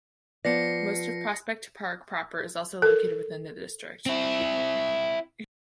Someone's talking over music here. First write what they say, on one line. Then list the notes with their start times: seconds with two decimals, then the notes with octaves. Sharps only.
Most of Prospect Park proper is also located within the district.
0.45 F3 B3 D5 A#6 C7 C#7
2.82 A4 A#4
4.06 C4 E4